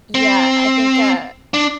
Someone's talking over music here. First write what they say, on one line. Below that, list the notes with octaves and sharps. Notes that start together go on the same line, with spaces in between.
Yeah, I think, uh,
C4
D4